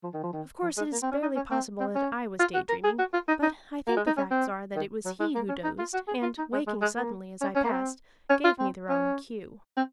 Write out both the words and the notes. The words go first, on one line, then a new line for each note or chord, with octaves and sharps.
Of course, it is barely possible that I was daydreaming, but I think the facts are that it was he who dozed, and waking suddenly as I passed gave me the wrong cue.
F3
D#3
F3
D#3
F3
G#3
A#3
C4
C#4
D#4
C#4
C4
C4
C#4
F4
F#4
A#4
G#4
F#4
F4
D#4
D#4
A#3
G#3
D#4
C#4
C4
D#3
F#3
G#3
A#3
C#4
D#4
F4
F#4
G#4
F4
D#4
G#3
G#3
G#3
A#3
C#4
C#4
A#3
C4
C#4
F4
C4
C#4
C4